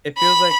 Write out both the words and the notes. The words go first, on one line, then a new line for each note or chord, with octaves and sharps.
It feels like
B5